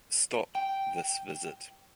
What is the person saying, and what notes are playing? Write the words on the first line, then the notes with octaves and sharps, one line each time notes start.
Stop this visit.
G5